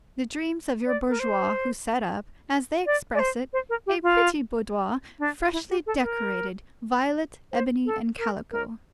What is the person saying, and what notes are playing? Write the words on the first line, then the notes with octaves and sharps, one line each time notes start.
The dreams of your bourgeois who set up, as they express it: a pretty boudoir freshly decorated, violet, ebony and calico.
D5
A#4
C5
D5
D5
C5
C5
A#4
G4
F4
D4
E4
G4
A4
A#4
C5
A4
A#4
A#4